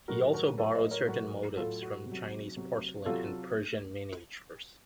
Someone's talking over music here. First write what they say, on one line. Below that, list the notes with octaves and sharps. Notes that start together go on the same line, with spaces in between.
He also borrowed certain motifs from Chinese porcelain and Persian miniatures.
A2 F#3 F#4 A#4
F#4 A#4
A2 F#3 A4 C5
C5 D#5
A#4 C#5
A2 F#3 F#4 A#4
A2 F#3 F4 A4
F#4
C3
F#3
C3 F#3
C3 F#3 F4 A4